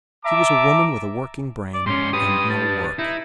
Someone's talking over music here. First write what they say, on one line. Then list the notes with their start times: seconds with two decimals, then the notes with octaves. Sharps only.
She was a woman with a working brain and no work.
0.24 E5 A5 A#5 D6
1.74 D5
1.86 G#2 C#4 C6
2.13 G4 B4 D#6
2.50 A5
2.99 D#4 E4